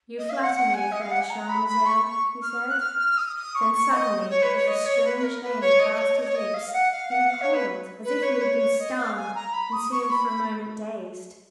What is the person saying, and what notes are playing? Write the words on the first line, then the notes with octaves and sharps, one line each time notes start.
"You flatter me, fair Charmazel!" he said; then suddenly as the strange name passed his lips he recoiled as if he had been stung, and seemed for a moment dazed.
D#5
F5
F#5
F#5
G#5
D#5
F5
F#5
G#5
A#5
B5
B5
C#6
C#6
F6
F#6
F6
F6
D#6
D#6
C#6
C#6
D#5
C#5
B4
C#5
D#5
C#5
B4
B4
A#4
B4
C#5
D#5
D#5
C#5
D#5
C#5
D#5
F5
F5
F#5
F5
F#5
F5
C#5
B4
B4
C#5
B4
C#5
D#5
F5
G#5
A#5
B5
D#6
C#6
B5
B5